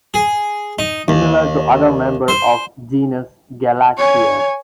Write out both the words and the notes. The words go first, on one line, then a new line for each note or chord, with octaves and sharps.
Similar to other member of genus "Galaxias".
G#4
D#4
D#2
C5
C#5 G#5